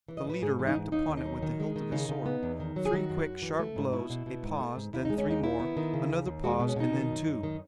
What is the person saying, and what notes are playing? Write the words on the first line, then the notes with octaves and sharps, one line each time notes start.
The leader rapped upon it with the hilt of his sword--three quick, sharp blows, a pause, then three more, another pause, and then two.
E3
D#5
A2 B4
G#2 G#4
E3
D#4
G#2
D#2 D#4
D#2
D#4
F#3
D#3
G#3
D#3
C#3 D#4
C#3
B3
E2
D#3
F#3
G#4
D#3 F#4
F#2
F#2
E3
A3
G#2
B2 E4
B2
B2
G#2
A3
G#2
D#2 E4
D#4
G#3
C#4
D#2 D#4
D#3 E4
B3
D#3
C#3
D#2
D#2
G#3 F#4
B2
C#4
B2 D#4
D#3
F#2
F#2
D#3